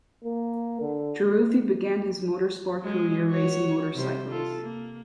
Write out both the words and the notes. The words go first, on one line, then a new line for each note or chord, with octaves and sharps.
Taruffi began his motorsport career racing motorcycles.
A#3
D3
F#3 G#3
F#4 C#5
C3 G3 C5
F4 A4
A#3